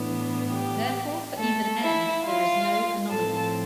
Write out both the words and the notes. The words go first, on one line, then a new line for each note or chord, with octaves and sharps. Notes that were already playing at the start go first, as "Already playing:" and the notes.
Therefore for even "n" there is no anomaly.
Already playing: A2 E3 B3 D4
G4
A3 A4
E4 E5
F4 F5
A2 F3 C4 A4 A5